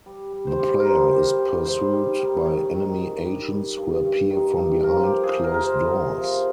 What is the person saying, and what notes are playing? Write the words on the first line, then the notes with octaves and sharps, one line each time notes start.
The player is pursued by enemy agents who appear from behind closed doors.
G3
G3
C5
G3
A#4
C3 C5
G3
G3
G#2 C5
G3
D#3
G#2 C#5
D#3
G#2
G3
G3
G2
G2
D#3
G2
F3 A#4
G4
F3
G#4
C3
A#4
A#4
C3 C5
C3
F3